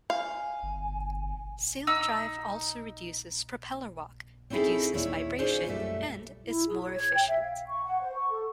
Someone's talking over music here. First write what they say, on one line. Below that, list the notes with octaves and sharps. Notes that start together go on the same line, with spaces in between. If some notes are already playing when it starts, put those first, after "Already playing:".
Saildrive also reduces propeller walk, reduces vibration, and is more efficient.
F5 G#5
G1
D#4 E6
C4 C#4 D#4 E4 G#4 A4
D#2 A#2 E4 C#5 E5
C#4 D#4 F4 G#4 C5 D5
F#2 A#2 G3 A3 E5
E4
G#4
C#5
G#6
G5
E5
F5
C#6
F#5
C5
C#6
A4